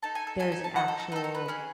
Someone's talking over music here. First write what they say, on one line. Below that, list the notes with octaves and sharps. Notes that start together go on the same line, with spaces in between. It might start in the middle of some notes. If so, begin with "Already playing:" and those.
there's an actual
D#4 A4 A5
G#5
A4
D#4 A4 G#5
G#5
A5
D#4 A4 F#5
A4
A4
D#4 A4 B4
C#5
B4
C#4 G#4